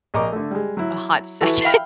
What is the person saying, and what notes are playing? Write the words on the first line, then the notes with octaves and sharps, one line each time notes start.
a hot second,
A#1 A#4 D#5 A#5 C#6 D6
D3 A3
G3 G#3
F#3 E4
E3 E4 F#4 A4 B4
E5 F5 G5 B5 F6